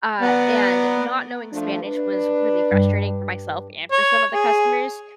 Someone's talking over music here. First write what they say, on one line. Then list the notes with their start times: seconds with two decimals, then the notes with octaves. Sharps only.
uh, and not knowing Spanish was really frustrating for myself and for some of the customers,
0.21 B3 D5 F#5 A#5
1.52 F3 A3 D4
1.82 D4 B4
2.71 G2
3.91 C#5
4.34 G#4